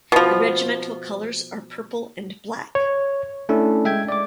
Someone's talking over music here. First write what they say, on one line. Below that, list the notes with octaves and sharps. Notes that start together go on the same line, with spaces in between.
The Regimental colours are Purple and Black.
B2 F3
C#5
A3 C#4 D4 E4 A4
G#3 E5 G5 G#6
D5 D6